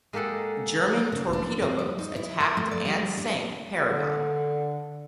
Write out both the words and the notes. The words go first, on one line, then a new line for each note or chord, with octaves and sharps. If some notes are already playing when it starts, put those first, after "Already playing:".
German torpedo boats attacked and sank "Paragon".
G#3 A#3 G4 A4 F#5
C#3
D4
C4
G3
D#4
E4
A#4
A3
D5
G3
D4
D3